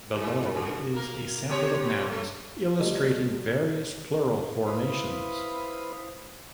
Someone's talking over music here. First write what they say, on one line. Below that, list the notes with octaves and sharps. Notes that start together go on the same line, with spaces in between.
Below is a sample of nouns, illustrating various plural formations.
G#2
F#2 D3
A#3 A#4
B2 G4 C#5
G#3 A3
D2 G2 D3 D#5
E4 B4 C5 F5 B5 D#6